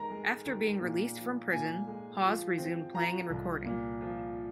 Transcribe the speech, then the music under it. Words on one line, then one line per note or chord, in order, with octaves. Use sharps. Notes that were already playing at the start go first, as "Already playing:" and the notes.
After being released from prison, Hawes resumed playing and recording.
Already playing: D#3 G#3 A#4 A#5
G#3
D#3
A#2
F3
A#2 G#5
G#3
F3
C4
F3 A#5
C2
A#2
F3